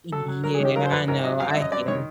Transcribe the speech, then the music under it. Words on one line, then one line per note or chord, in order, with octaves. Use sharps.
Yeah, I know, no, I hate ‘em.
F#3 A4
F#3
F#3 A#4
G#4
D#3 G4
F#3 A#4
C5
A#1 B4
G#2 A#4
F#3 D#5
F#2 F5
E5
F#2
D#5
F#2 D5
D#3 C#5